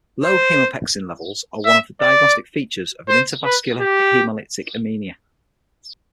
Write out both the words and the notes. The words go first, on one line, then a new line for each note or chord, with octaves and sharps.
Low hemopexin levels are one of the diagnostic features of an intravascular hemolytic anemia.
C5
E5
D5
C5
B4
G4